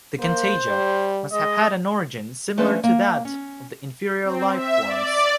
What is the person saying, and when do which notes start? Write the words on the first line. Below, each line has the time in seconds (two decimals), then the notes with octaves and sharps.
The contagia must have had an origin similar to that of the inferior lifeforms.
0.19 A#3 C5
0.67 G3
1.33 G#3 D#5
2.57 F3 A3 C#4 D4 B4 C5
2.84 A#3
3.25 C#4
4.24 C4
4.55 E5
4.85 D5